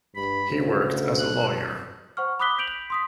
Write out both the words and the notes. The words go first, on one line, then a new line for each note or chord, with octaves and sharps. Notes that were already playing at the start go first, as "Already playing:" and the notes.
He worked as a lawyer.
G2 B5
D2 C#3
F#6
C5 F#5 C#6 F6
B5 D6 D#6 F#6 B6 G7
G6 B6 D7 F7 F#7
C6 D#6 B6